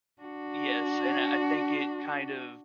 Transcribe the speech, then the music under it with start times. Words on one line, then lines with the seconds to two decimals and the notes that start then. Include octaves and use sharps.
yes, and I, uh, think it kind of,
0.22 D4 F#4